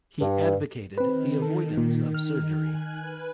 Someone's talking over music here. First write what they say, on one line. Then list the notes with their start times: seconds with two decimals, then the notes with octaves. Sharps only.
He advocated the avoidance of surgery.
0.21 G2
0.98 D#3 C4 B4
1.42 A4
1.77 A#2
2.14 F6
2.58 G#5 F#6
3.00 B4